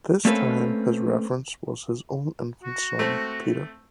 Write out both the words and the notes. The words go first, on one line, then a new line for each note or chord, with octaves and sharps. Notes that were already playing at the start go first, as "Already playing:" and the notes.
This time his reference was his own infant son, Peter.
A3 A#3 C4 C#4 A4 B4
F#4
A3 C4